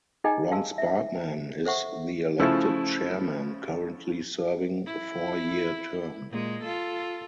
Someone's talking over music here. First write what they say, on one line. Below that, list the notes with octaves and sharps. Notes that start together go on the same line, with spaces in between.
Ron Sparkman is the elected chairman, currently serving a four-year term.
D#4 G#4 D#5 G5 G#5 A#5
F5 A5 C6 E6
E5
A4 C5 E5 F#5 C#6
C#3 F3 A3 E4
E4
A#2 G#3
F4 A4